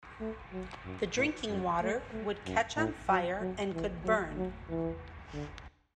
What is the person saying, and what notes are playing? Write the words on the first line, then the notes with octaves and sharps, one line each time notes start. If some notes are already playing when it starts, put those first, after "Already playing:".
The drinking water would catch on fire, and could burn.
A3
F#3
F#2
A2
F#2
A3
A3
F#2
A2
F#3
F#3
E3
F#3
F#3
E3
D3